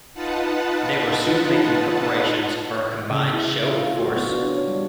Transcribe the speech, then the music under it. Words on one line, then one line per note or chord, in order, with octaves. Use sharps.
They were soon making preparations for a combined show of force.
D#4 F4 B4 F#5 A5
C#3
E4
E5
F4
F#4
B3
D4
C#5
G3